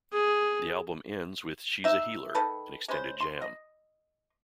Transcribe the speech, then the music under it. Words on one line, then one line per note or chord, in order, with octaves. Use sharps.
The album ends with "She's a Healer", an extended jam.
G#4
D#4 E5
D#3 A4 B4
G#3 C#4 B4 C5
C6
D#5